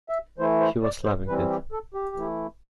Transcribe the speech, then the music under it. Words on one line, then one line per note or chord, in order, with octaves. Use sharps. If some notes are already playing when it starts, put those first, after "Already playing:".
He was loving it!
E5
E3 A3 E4 C5
C5
D5
C5
E3 G3 C4 B4
G4
A4
G4
E3 A3 E4